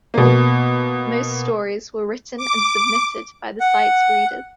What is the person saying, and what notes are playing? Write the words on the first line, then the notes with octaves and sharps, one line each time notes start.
Most stories were written and submitted by the site's readers.
B2 A#3
D6
F#5